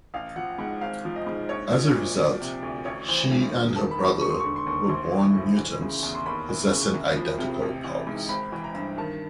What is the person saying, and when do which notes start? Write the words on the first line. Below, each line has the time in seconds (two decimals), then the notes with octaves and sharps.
As a result, she and her brother were born mutants, possessing identical powers.
0.14 A1 F5
0.36 F3 F#5
0.58 G#2 F#5
0.81 G#1 F5
1.05 F3
1.16 D#5
1.27 G#2
1.49 A#1 C#5
1.72 F3
1.84 C#5
1.95 A#2
2.18 F3 D5
2.41 C3
2.62 D2
2.85 A1 C#5
3.09 E3 C5
3.32 G2
3.53 E1
3.76 D#3 A5
3.91 B5
3.98 D#2 A#5
4.21 E1 C#6
4.30 C6
4.40 D3 C#6
4.56 C6
4.66 D#2
4.89 A#1 C6
5.13 E3
5.34 A2
5.58 E3
5.81 C#3
6.03 E2
6.15 C6
6.26 D#2 B5
6.49 E3
6.71 C#3
6.94 C2
7.16 F3
7.38 C3
7.62 A1
7.84 E3
8.07 G#2
8.29 G#1 B5
8.52 E3
8.64 A#5
8.74 G2
8.98 D#3 A5